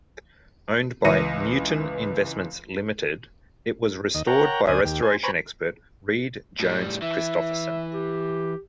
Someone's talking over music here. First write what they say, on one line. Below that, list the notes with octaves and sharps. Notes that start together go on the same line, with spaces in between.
Owned by "Newton Investments Limited", it was restored by restoration expert Read Jones Christofferson.
C#2 E3 A#6 C#7 D#7
D#2 D#5
A#4 C#5 F#5 G5 A#5
D2 C5 D5 G#5 D#6
D#2 G4
C5 G#5
B4 C5 G#5 A#5 B5 C#6
A2 G3
E3 E5
G4